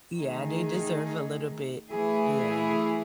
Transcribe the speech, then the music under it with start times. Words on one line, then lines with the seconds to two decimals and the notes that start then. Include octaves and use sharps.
Yeah, they deserve a little bit, y yeah.
0.16 D#3 A3 D#4 G#4
1.92 E3 A3 E4 G#4